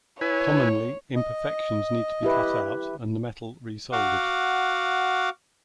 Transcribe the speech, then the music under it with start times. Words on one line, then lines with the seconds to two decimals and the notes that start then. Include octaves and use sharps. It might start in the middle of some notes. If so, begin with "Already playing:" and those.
Commonly, imperfections need to be cut out, and the metal re-soldered.
0.21 E4 B4 C#5 G#5
1.16 D#5
2.23 E4 G4 B4
3.92 F#4 F5 F#5 D6